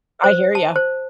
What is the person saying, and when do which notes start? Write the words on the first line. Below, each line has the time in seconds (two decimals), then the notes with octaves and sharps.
I hear ya.
0.24 C5
0.55 A5
0.76 C5